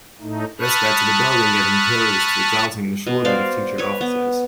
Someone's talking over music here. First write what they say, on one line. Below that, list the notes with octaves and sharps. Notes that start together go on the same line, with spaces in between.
This led to the building getting closed, resulting in a shortage of teacher offices.
A2 A3 D#4
A5 B5 C#6 D#6 F6 F#6
B2
F#4 C5 D5 F5
B4 C#5
B3